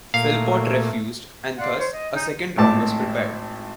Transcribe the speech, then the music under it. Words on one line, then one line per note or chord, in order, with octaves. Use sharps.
Philpot refused and thus a second round was prepared.
A#2 A3 F5
D5 F5 F#5 C6
C5 C#5
D#5
D#4 G#5 G6
G#1 A2 A5 D6